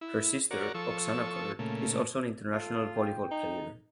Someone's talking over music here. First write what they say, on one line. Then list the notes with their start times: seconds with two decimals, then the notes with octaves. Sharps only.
Her sister Oksana Kurt is also an international volleyball player.
0.01 E4
0.51 F#4 A#4 C#5 D5
0.74 F3 A4 C#6 E6
1.59 A#2 C#3 A3
2.52 F4 A4
2.96 G5
3.31 D#4